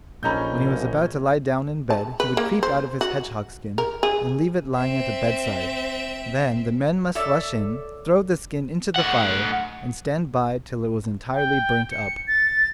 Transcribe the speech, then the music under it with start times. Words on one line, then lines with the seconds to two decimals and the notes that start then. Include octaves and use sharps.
When he was about to lie down in bed he would creep out of his hedgehog skin, and leave it lying at the bedside; then the men must rush in, throw the skin into the fire, and stand by till it was entirely burnt up.
0.23 A#1 A#2 C#4 D#4 A4 A#5 B5 G6
1.90 A5
2.20 B4
2.37 A#3
2.63 C5
3.01 F#4
3.78 A#4
4.03 G#4
4.76 C4 E5
7.15 A4 C#5 D5 E5
8.96 A2 F#5
11.34 G5
11.91 C#7
12.28 A6